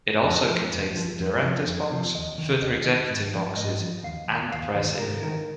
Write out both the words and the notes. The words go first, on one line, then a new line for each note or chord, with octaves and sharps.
It also contains the directors' box, further executive boxes and the press area.
F2 D#5
F3
F2
F3
F2
C3 F3
F2
C3 F3
D#2 D#5
D#3
D#2 D#5
D#3
G#2
F3
G#2 D#5
F3
D#2 F5
D#3
D#2 F5
D#3 C5
G#2 A#4
D#3 A#4